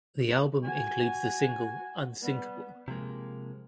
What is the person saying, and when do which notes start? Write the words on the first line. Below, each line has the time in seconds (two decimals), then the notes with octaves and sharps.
The album includes the single "Unsinkable".
0.64 F#4 G#5
2.21 G3 B3
2.88 C3 F3 G#3 A#3